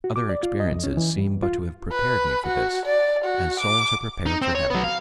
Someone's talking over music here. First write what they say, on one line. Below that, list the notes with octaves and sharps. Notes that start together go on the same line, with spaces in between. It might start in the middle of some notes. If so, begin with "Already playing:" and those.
Other experiences seemed but to have prepared me for this, as souls are prepared for heaven.
F#4
D6
D5
F4
D#5
F2
C#4
E3
G2
F4
B4
F#4
D5
F#4
D6
D#4
C4
C#5
F#3 B3
F5